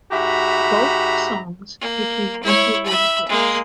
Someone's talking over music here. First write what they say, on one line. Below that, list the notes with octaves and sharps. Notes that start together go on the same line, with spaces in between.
Both songs became number one hits.
G#2 F#4 G4 E5 A#5 B5
A#3
E4 C#5
E5 B5
G#3 A#3